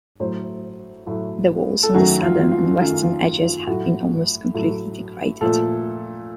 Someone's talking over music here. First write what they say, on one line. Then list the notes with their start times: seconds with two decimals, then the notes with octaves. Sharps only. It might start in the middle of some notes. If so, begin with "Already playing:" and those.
The walls on the southern and western edges have been almost completely degraded.
0.20 A2 F#3 A3 C5
1.06 A2 F#3 A3
1.83 A4
1.94 F#2 D#3 F#3 A3 F#4
2.23 F4
2.51 F4
2.80 F#2 D#3 F#3 A3 F4
3.02 F4
3.46 F4
3.67 A2 F#3 A3 F#4
4.54 A2 F#3 A3
5.41 A#2 F3 A3 A4